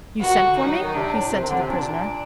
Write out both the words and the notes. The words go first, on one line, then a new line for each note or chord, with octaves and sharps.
"You sent for me?" he said to the prisoner.
D#3 F#4
D3
D#3 D#4
G3
F#3
D#3
C3 D4
A2
C3 C4
D#3
D3
C3
A#2 D4